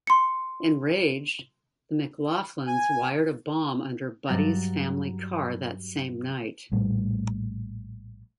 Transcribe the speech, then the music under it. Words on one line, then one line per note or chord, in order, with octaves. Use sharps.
Enraged, the McLaughlins wired a bomb under Buddy's family car that same night.
C6 C#7
G#5
G2 F#3 F#5 A#5 A6
A#1 A2 G3 A3